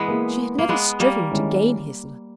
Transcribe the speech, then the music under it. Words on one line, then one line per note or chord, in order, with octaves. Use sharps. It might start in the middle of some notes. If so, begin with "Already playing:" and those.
She had never striven to gain his love.
Already playing: E3 G#3 B3
A#3 E4 G#4
A#3
G#3 B3
G3 A#3
D#3 G#3 C#4 E4